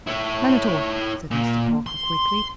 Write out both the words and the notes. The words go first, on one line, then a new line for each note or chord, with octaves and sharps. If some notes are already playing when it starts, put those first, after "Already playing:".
"None at all," said Mr. Parker, quickly.
E4 C#5
A#2
C6